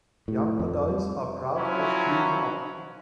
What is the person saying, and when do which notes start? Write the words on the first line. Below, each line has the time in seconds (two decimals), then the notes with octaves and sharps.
Young adults are proud of cleaning up.
0.28 A2
0.59 F2
0.89 G3
1.57 F3 F#3 C#4 E4